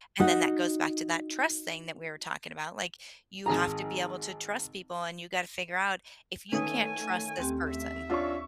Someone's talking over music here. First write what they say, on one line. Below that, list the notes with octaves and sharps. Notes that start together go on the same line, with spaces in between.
and then that goes back to that trust thing that we were talking about, like, "You have to be able to trust people and you gotta figure out if you can't trust this person."
D#4 F#4
G#1 G#4 A#5
D#3 A3 C#4 B4 C#5 G#5 D#6
D#2 C4 G4
E5
C#4 D4 F4 C#6 E6